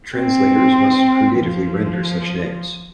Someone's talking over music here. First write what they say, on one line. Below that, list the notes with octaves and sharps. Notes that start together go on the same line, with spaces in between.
Translators must creatively render such names.
C4
F3